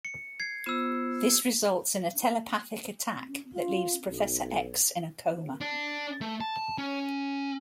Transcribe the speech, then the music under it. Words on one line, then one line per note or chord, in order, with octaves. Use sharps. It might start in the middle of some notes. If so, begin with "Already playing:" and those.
This results in a telepathic attack that leaves Professor X in a coma.
C#7
G#6 C7
B3 F4 C5 E6 E7
F4
B1
D4
A3
A5
C#4